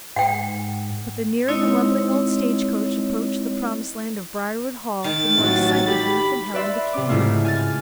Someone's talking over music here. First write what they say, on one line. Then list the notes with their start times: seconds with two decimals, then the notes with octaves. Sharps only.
But the nearer the rumbling old stagecoach approached the promised land of Briarwood Hall the more excited Ruth and Helen became.
0.16 G#2 F#5 G5
1.48 G#3 C4 D#4 E4 C#5 D#5
5.04 D#3 A6
5.38 A1 F#3
5.88 G4 B5
6.54 B4 D5 E5 B5 C6
6.93 C3 D6
7.09 G#2 C#3 A3 E4 F4
7.45 G#5 F6 A6